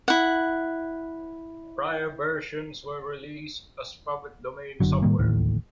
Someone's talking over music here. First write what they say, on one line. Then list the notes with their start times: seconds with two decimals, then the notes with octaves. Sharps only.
Prior versions were released as public domain software.
0.08 E4 F#5
4.80 F#1 D3 F#3
5.02 A2 D#3 G3 A#3
5.19 D1 A1 D#2 A2